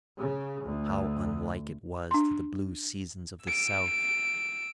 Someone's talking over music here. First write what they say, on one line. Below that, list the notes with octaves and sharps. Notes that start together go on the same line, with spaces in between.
How unlike it was to the blue seasons of the south!
C#3
D2
D4 C6
E6 D7